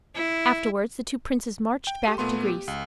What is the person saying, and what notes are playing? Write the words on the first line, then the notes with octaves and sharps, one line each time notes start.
Afterwards the two princes marched back to Greece.
E4
G5
G4 A4 D#7
A#2 A3 B3 C6
G4
C#2